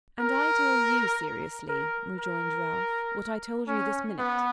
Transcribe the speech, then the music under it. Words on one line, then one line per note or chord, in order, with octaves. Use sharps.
'And I tell you seriously,' rejoined Ralph, 'what I told you this minute.
A#4
A#4
A#4
C#4
B3